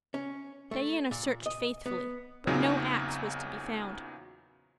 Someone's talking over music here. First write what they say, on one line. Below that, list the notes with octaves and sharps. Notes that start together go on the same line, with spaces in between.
Diana searched faithfully but no axe was to be found.
C#4
A3
A#2
D#5
B3
E2 A#2 C#3 F#3 C4 D#4